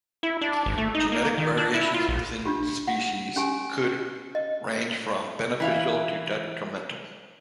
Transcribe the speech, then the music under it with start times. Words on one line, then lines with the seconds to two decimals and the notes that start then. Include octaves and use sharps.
Genetic variation within a species could range from beneficial to detrimental.
0.23 E4
0.41 D4
0.66 G#1
0.78 A3
0.95 D#4
1.12 A#3
1.38 D#3
1.57 D4
1.74 E4
1.94 F4
2.08 A#1
2.46 D4 F4 G4
2.87 F#5
3.36 C#4 G4 G#5
4.35 D#5
5.60 E3 E4 F5